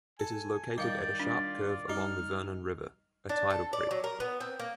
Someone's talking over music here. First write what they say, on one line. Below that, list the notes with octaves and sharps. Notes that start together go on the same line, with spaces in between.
It is located at a sharp curve along the Vernon River, a tidal creek.
A4 G#5
D#3 G3 D5 F5 G6
G3 D4 F4
G3 D#4 F6
D4
A4
D5
F#3
A#4
B3
C4
A#3